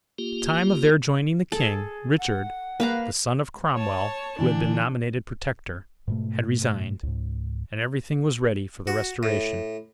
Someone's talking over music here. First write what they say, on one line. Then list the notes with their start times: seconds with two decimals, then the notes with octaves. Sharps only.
At the time of their joining the king, Richard, the son of Cromwell, who had been nominated Protector, had resigned, and every thing was ready for the Restoration.
0.18 A#3 F4 G4
1.52 G#4 A4
2.18 F#5
2.80 A#3 B4 F5 A#5
3.74 C#5 A5
4.39 D3 E3 D4 E4
6.08 G#2 B2 A3
7.03 C#2 G#2
8.87 F#4
9.23 A2